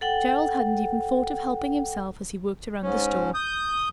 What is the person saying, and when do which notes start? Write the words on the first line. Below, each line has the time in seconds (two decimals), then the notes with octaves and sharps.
"Gerald hadn't even thought of helping himself as he worked around the store."
0.01 A4 F#5 G5
2.82 G#2 C#4
3.34 D#6 G6